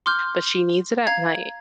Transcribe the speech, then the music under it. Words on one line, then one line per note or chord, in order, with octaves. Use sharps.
but she needs it at night,
C6 D6 F6 G6
F5 A#5 G#6